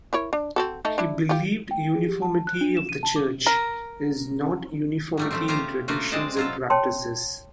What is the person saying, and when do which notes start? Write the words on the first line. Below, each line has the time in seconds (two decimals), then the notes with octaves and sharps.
He believed uniformity of the Church is not uniformity in traditions and practices.
0.13 E4 A#4 C#5
0.33 D4
0.56 C4 F#4 A4
0.85 A3 D#4 A4
0.98 D4 E4
1.29 F4 G4
1.71 G5
1.95 G#4
2.09 G4
2.22 A5
2.47 F#6
2.61 D4
2.77 E7
2.89 D#7
3.03 A5
3.16 D6
3.47 A#4
5.17 F#3 G3 A3
5.31 F3 A3 C4
5.48 A3 F4 G4 C5 C#5 A#5
5.88 A3 A#3 F4 F#4
6.12 G#3 C4 D5 D#5 A5
6.36 F#3 F4 A4
6.70 C#5 G5 A5 C6